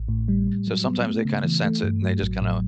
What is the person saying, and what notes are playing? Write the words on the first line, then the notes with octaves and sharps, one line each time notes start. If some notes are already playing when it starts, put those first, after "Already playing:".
so, sometimes they, kinda sense it, and they just, kinda
Already playing: A1
A2
G3
A2
F#3
B3
A3
C#3
E3
A3
G2
F#3
A1
A2